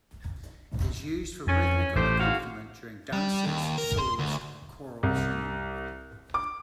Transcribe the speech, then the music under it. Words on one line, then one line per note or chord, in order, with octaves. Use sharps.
It is used for rhythmical accompaniment during dances, soloist or choral singing.
F2 C#4
A1 A3 G4 C5
G#2 F#4 F5
G3
D#2
A#4
C6
D2
C2
D6